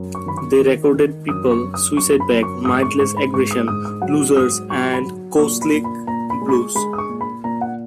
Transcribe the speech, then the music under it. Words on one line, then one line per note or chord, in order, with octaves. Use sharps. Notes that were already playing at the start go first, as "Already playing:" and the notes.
They recorded "People", "Suicide Bag", "Mindless Aggression", "Losers", and "Cowslick Blues".
Already playing: F#2
C#6
D#3 B5
C#6
D#3
D#3
F#2 D#6
C#6
F#2
D#6
F#2 C#6
B5
F#2
C#6
G#2 D#6
C#6
G#2 C#6
B5
G#2 C#6
D#6
G#2 D#6
D#6
F#3 F#5
G#2 D#6
F#3 C#6
B5
F#3
A#2 C#6
B5
A#2
B5
A#2 A#5
B5
G#3
B5
C#6
G#3 B5
D#6
C#6
A#2
B5
A#2 A#5
F#5